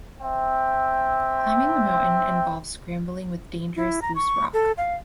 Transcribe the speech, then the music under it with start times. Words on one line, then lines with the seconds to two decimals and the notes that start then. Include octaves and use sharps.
Climbing the mountain involves scrambling with dangerous loose rock.
0.21 C4 E5 G5
3.76 E4
4.02 A#5
4.15 C#6
4.53 A4
4.78 F5